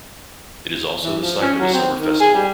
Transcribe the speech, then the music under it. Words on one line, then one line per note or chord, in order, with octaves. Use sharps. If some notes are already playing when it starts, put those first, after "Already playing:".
It is also the site of a summer festival.
E3
F3
C#4
F#3
C4
D#3
G#4
G3